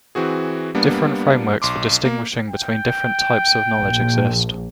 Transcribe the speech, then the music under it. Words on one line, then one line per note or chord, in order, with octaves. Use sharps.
Different frameworks for distinguishing between different 'types of' knowledge exist.
E3 C4 F#4 G#4
G3 A#3 B3 D4
B1 C6 D6
A#3
G5
A#1